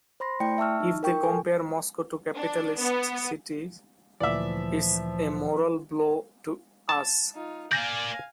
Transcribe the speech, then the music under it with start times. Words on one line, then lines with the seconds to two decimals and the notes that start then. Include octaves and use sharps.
If they compare Moscow to capitalist cities, it's a moral blow to us.
0.20 C5 B5 C6 A#6
0.40 A3 E4 D5 G5 C#7
0.58 E5 A5 C#6 E6 F6
0.80 D#4
1.03 A#4 G5 C#6
1.23 A4 G#5
2.35 D4
2.78 B3
4.20 D2 A#2 E3 F3 D5 E5
6.89 A5
7.34 D#4 F4
7.72 A#3 D5 F5 G#5 G6 A#6